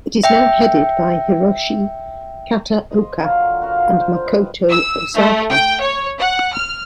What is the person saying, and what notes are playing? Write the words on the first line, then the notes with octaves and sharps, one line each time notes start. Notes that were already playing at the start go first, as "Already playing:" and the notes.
It is now headed by Hiroshi Kataoka and Makoto Osaki.
E5 G5
D#5 C6
D3 F#3 F4 A#4
F#4 A#4 F5 C6
F4 A#4
C5
B4 D#5 G5
E6
A3
G5
C#5
F#5
F6